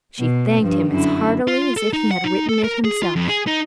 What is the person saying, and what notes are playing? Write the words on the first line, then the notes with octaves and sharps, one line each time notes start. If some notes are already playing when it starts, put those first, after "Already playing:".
She thanked him as heartily as if he had written it himself.
B2
G2 F3
F#2 D3 E4
F4
A4
D#4
F#5
D#4
A4
A#4
G#4
F4
F2
G#4
D#4